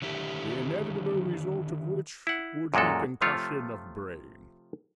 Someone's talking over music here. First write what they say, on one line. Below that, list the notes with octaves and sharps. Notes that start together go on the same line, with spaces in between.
"The inevitable result of which would be concussion of brain."
D3 D#3 E4 G4 A#4
E4 F#5
F#2 A#2 G#3 F#4 A4
C3 F3 A3 F4 C#5